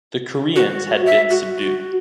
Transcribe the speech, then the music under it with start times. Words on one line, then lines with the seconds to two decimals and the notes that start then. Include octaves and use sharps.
The Koreans had been subdued.
0.56 F#4
1.06 E5
1.31 F#4